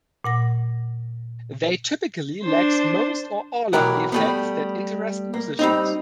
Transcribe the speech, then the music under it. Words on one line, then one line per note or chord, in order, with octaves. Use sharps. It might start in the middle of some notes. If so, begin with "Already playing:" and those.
They typically lacks most or all of the effects that interest musicians.
A#2 F#5 A#6
D4 C5
B1 E3 G4 A#4 F#5
G3 A3 B3
A#3
G3 C4 D#4